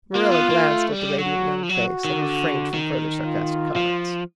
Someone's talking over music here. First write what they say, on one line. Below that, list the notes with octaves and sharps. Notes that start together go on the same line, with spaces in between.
Marilla glanced at the radiant young face and refrained from further sarcastic comments.
A#3 F4
B3
A#3
A3
G3
F#3 F#4
F3
F#3 F#4
D#3
D3
D#3
F4
F3